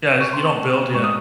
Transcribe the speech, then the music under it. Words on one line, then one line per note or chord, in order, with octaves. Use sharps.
Yeah, you don't build, yeah.
C4 C#6
C6
C#6
C4
G#2 C#6
D#6